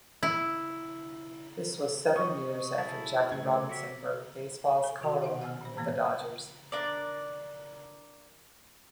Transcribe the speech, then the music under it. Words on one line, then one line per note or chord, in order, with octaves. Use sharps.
This was seven years after Jackie Robinson broke baseball's color line with the Dodgers.
E4
D#5 C#6
E4 G#4 A5
C#3 A3 G#6
F#4 D5 E5
A4
C3 D#3 F#4
D#4 F5 F#5
F#5 G#5 E6 F6
A#2 C5
A2 E3 G#3 A#3 B3
D4 A#4 D5